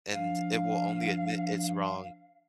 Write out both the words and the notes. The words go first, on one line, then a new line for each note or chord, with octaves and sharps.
and it will only admit it's wrong
F3 D4 F5